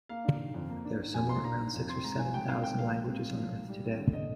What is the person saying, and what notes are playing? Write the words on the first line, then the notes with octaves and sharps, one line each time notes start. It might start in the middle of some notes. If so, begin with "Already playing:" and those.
There are somewhere around six or seven thousand languages on Earth today.
A#3 F5
D4
D#3
F2
A#3
D4
D#3
F2 G#5
A#3 C6
D4 A#5
D#3
F2
C4 C6
G#2 A#5
F3 G#5
G#2 G5
C4 F5
G#2 G5
F3 F5
G#2
C4
G#2
F3
G#2
G3
C4
D3
D#5